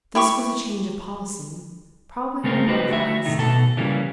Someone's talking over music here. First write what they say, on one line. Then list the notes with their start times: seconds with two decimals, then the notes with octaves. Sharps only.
This was a change of policy, probably on the part of Heyst.
0.15 E4 G4 C#6
2.44 C#3 A3 A#3 C4 A#4
2.67 D#4 F#4 G4 B4 C5 D#5
2.89 D3 A3 F#4 E5
3.25 A2 C3 D#3 A3 D#4
3.38 B2 A4 A5
3.77 C#3 E3 G3 A#3 C#4